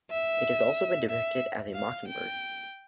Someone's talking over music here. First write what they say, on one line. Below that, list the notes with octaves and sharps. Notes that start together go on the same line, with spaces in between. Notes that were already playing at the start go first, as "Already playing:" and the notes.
It has also been depicted as a mockingbird.
E5
E5
F5
G5